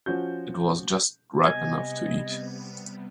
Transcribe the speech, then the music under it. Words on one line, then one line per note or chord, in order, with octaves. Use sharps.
It was just ripe enough to eat.
F3 C#4 F#4 G6
C3 G3 B3 D#5 G#5